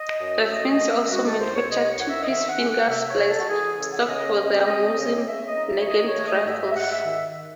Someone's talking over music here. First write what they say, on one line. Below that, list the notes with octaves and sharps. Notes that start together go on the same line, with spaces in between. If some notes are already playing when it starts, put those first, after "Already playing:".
The Finns also manufactured two-piece "finger splice" stocks for their Mosin-Nagant rifles.
Already playing: D#5
F#2
E5
A3 D#5
D#5
D#3
E5
G#3 F#4
A4
C2 C5
C#5
C2 D#5
C#5
C2 F#5
E5
D#5
D#3 E5
F#5
G#3
F#5
C3 E5
C#5
G#3
A4
F#4
E3 G#4
C#3 A4
F#5
E5
C#3 D#5
C4
C4
C#3
C#3 E5
D#5
D#4
E5
C#5
D#3 D#5
C#5
A3
D#5
G#2 E5
E5
E5
G#2 F#5
E5
D#3 E5